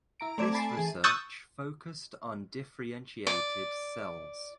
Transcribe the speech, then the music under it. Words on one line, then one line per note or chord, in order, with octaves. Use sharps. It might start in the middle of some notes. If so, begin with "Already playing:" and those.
This research focused on differentiated cells.
E4 A#5 D7
A3 C4 D5 D6 G#6 E7
G#5 A5 B5 A6 C7 D7
E3 G#4
C#6 D#6 E6 F#6 G6 A6
D5